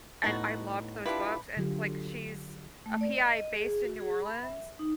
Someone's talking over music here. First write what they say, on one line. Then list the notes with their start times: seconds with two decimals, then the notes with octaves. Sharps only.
and I loved those books, and it's, like, she's a PI based in New Orleans
0.24 A2 B3 D#4 F#4
1.06 D4 E4 F4 G4 B4
1.57 D3 F#3 F4 G4
2.86 A3
3.01 D5
3.15 D#5
3.37 D#5
3.53 G#4
3.84 F#4
4.00 G#4
4.22 B5
4.43 E5
4.79 D#4